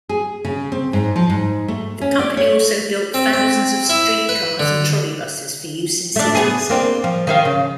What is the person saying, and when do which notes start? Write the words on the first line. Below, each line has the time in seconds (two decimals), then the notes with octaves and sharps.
The company also built thousands of streetcars and trolley buses for use in cities.
0.09 G#4
0.45 C#3
0.72 C4
0.93 G#2
1.16 F3
1.30 G#2
1.68 A3
2.01 C#4
2.19 D5
2.37 C#5
3.14 C4
3.33 C4
3.89 E4
4.29 B4
4.60 D3
6.16 A3 D4
6.35 B3 G#4
6.69 A#3 C4 D4
7.04 F3
7.27 D#3 G#4 F5
7.45 C#3